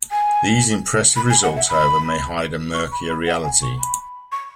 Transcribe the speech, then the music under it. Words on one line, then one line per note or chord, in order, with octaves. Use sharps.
These impressive results however may hide a murkier reality.
G#5
B5
G#5
F#5
E5
B5
C#6
B5
B5
F#5
G#5
C#6
B5
C#6